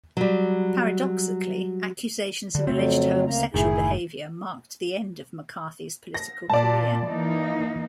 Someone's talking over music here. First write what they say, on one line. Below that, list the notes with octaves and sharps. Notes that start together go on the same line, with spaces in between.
Paradoxically, accusations of alleged homosexual behaviour marked the end of McCarthy's political career.
F#3 G3
D3 G3
F2 C#3 F#3 A3 C4
D2 A#3 A#5
F#1 A2 D#3 E4 G#4
A#6
A#2 D5 A5
E3 A#3 D#4